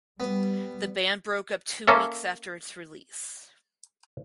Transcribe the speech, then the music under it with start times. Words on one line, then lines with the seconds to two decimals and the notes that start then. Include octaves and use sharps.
The band broke up two weeks after its release.
0.20 G3 B3
1.87 A#3 C#4 A4 E5